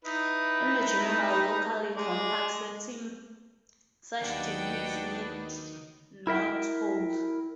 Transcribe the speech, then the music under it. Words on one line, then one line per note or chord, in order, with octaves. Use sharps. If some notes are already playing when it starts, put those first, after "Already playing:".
In the general locally compact setting, such techniques need not hold.
D#4 E4 B4
G#3 D5
D#2 D#3 F#3 D4 B4 D#5 F#5 G5
E4 A#4 E5 G5